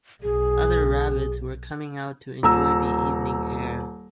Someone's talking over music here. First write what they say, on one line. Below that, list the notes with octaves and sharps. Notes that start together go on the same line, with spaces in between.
Other rabbits were coming out to enjoy the evening air.
B1 G#4
D#1 A#5 E6